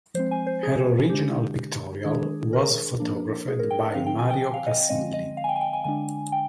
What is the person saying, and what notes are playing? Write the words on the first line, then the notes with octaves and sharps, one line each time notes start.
Her original pictorial was photographed by Mario Casilli.
F3 G#3 C4 C5
G#5
C5
G#4
D3 G#3 D4 G4
D#3 G#3 D4 G#4
A#4
F3 A#3 D4
G#4
A#4
G5
D3 F3 C4 F5
G5
G#5
G5
G5
F5
D#5
D3 F3 G#3 C4 D#5
D#5
F5
G#5
G5
G#5
G5
G#5
D3 G#3 D4 G#5
G5